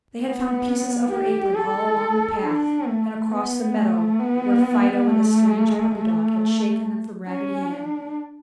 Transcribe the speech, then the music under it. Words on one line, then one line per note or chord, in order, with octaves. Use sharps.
They had found pieces of her apron all along the path and across the meadow where Fido and the strange puppy dog had shaken them from Raggedy Ann.
B3
G4
A4
D4
A3
B3
A3
B3
A3
A3
C#4
D4